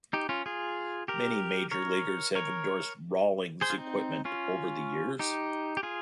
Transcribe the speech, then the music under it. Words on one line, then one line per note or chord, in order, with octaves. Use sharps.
Many major leaguers have endorsed Rawlings equipment over the years.
D#4 G4
C#4 F4
F4 G#4
G4 A#4
A#4 C#5
A#4 C#5
G#4 C5
F4
C4 D#4
C#4 F4
D#4 G4
G4
F4 G#4